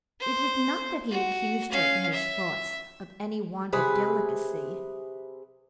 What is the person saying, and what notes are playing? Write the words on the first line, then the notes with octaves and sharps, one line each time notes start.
It was not that he accused her in his thoughts of any want of delicacy.
C5
F#4
C#4 F5
E5
C3 G#4 B4